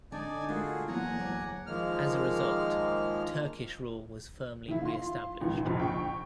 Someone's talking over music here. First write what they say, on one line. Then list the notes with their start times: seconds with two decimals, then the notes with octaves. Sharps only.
As a result, Turkish rule was firmly reestablished.
0.12 D3 D4 D#4 D5 G#5
0.49 A3 A#3 F4 F#4 G#4 E5
0.88 E2 F#3 A#3 B3 E4 F#5 G#5 A#5
1.19 D2 F#3 D5
1.67 D#3 F3 G#3 A#3 F6
4.68 D#3 E4
4.82 F4 C6
5.40 C#2 A#2 D#3 E3
5.65 A#1 F2 D3
5.80 G5 C#6